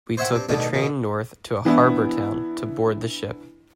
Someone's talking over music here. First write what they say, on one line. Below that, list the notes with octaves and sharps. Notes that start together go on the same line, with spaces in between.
We took the train north to a harbor town to board the ship.
C5 C#5 E5 F#5 G5
G2 C4
G2 B2 D#3 A3
B2 D#3
E3 B3 D4 E4